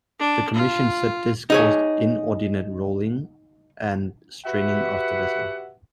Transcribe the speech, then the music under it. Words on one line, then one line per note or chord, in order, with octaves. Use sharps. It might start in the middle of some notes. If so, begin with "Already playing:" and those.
The commission said this caused inordinate rolling and straining of the vessel.
D4
F4
D#4 G#4 C#5
F#4 G4 B4 E5 F#5